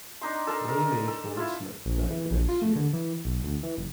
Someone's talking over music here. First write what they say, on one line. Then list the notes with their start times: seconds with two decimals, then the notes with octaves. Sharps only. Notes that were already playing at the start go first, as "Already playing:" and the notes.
Willie Mae Ford Smith died the next year.
0.21 D4 D#4 C6
0.47 A4 A#4 A5
0.65 A4 A#4
1.08 A4
1.37 E4 F4
1.86 A#1
2.10 E3
2.31 A#1
2.49 F4
2.62 A3
2.76 D3
2.93 E3
3.25 B1
3.43 D2
3.63 E3
3.77 F#1